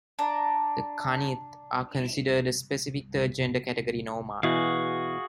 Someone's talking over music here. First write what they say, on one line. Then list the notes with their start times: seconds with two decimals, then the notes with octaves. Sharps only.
The "khanith" are considered a specific third gender category in Oman.
0.19 D4 A#5
4.43 B2 E3 F#4 G#4 F5